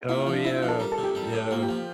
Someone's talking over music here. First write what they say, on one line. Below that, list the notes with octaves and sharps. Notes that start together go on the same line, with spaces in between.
Oh, yeah, yeah.
A#3 E4
F4
F3
D4
C4 E4
F4
F3
A4
G3 A#4
A4
C3
G4
G3
A2
A#3 F4
G4
F3